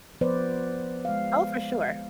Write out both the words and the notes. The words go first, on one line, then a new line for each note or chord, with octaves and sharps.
Oh, for sure.
F3 B3 B4 C5 D5
G#3 F5